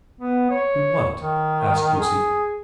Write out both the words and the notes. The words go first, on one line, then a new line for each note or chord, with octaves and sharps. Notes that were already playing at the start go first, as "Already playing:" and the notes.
'Do what?' asked Lucy.
B3
C#5
D#3
G#4